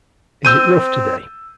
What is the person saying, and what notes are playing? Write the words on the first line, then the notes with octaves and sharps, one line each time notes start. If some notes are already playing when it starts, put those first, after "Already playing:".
Is it rough today?
C4 E6 G6 D#7